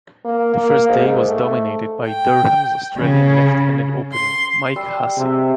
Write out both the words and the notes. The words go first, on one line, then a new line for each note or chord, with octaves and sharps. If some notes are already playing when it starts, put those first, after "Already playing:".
The first day was dominated by Durham's Australian left-handed opener, Mike Hussey.
A#3
A#3
G#2
A3
G5
C#3
C6
G3 D5 E6
C3 G#3 E5